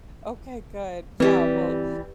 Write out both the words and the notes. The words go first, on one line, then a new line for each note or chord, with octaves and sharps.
Okay, good, yeah, well,
E3 G3 C4 G4 B4